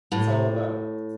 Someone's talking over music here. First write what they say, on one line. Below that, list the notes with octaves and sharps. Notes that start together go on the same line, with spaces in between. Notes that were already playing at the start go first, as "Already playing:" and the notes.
It's all about.
A2